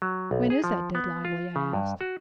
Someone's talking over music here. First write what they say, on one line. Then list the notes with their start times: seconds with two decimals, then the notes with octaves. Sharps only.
"When is that deadline?" Lea asked.
0.02 F#3
0.31 B1
0.50 G#4
0.64 F3
0.95 B3
1.25 F4
1.56 C#3
1.73 G2
2.01 F#4